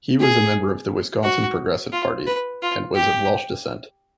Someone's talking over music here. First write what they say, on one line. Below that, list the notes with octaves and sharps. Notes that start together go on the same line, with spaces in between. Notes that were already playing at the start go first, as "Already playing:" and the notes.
He was a member of the Wisconsin Progressive Party, and was of Welsh descent.
G#4
F#4
F4
B4
F4
G4